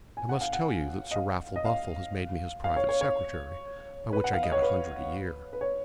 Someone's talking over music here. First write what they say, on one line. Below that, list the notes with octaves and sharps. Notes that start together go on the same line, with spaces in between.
I must tell you that Sir Raffle Buffle has made me his private secretary, by which I get a hundred a year.
G#5
F#5
F5
F#5
D#5
F5
D#5
F5
F5
C#5
C#5
C#5
B4
F#5
F5
D#5
C#5
B4
B4
C#5